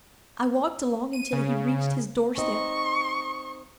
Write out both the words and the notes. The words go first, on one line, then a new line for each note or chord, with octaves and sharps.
I walked along until he reached his door step.
D#7
C#3
C4 D#4 D#5 C#6